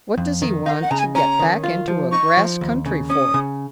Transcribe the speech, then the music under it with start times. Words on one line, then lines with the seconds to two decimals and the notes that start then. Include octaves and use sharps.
What does he want to get back into a grass country for?
0.18 F2
0.42 D#3
0.66 D#4 F5
0.82 F#5
0.91 C#3 A#5
0.99 G#5
1.15 C#4 A#5
1.39 D#3
1.64 F4
1.88 F3
2.12 D#4 C#6
2.37 F3
2.61 D#2
2.86 C#3
3.10 C#4 D#6
3.34 C#3